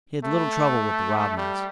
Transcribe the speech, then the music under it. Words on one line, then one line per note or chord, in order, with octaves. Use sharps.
He had little trouble with the robins.
A3
G3